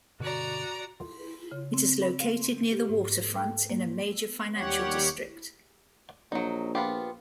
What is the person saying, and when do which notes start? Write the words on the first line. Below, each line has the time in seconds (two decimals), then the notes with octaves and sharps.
It is located near the waterfront, in a major financial district.
0.20 G2 B2 D3 F#4 D5 A#5
1.51 C#3
1.74 C4
2.02 B5
2.20 F5
2.72 G4
2.89 G#2
3.36 G5
3.70 A#3
4.55 D#2 G3 G4 C#5 F#5
6.32 A#1 F#3 D#4
6.75 B3 F4 G4